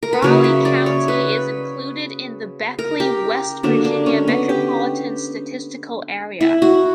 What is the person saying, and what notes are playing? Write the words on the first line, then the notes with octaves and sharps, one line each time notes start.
Raleigh County is included in the Beckley, West Virginia Metropolitan Statistical Area.
A#4
B4
C#3 F#3 A#3 C#5
E5
D5
C#5
B4
A#4
G4
D3 F#3 A#3 D4
D4
C#4
B3
G4
E4
F#4